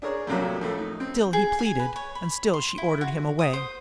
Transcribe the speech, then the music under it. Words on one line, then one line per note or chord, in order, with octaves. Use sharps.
Still he pleaded, and still she ordered him away.
D4 G#4 A#4 C#5
F2 A2 C3 F#3 A#3
F2 A2 A3
D#4
C4
G#4
G#5
B4
C#5
B5
C6
E4
F#4
D#6
C5